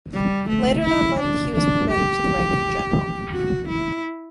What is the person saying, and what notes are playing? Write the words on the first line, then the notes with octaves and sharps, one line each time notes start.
Later that month, he was promoted to the rank of General.
G3
A3
E4
D4
D4
G4
F#4
E4